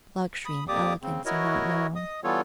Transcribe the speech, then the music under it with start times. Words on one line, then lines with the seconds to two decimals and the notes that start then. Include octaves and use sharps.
Luxury and elegance are not known.
0.45 B5 D#6
0.68 F2 A#3 G4 D5 D6 D#6
1.02 C#3 C4
1.25 E4 F#4 A#4 C#5 D#5
1.96 D#5 D#6
2.24 E3 G3 B3 F4 A4 C#5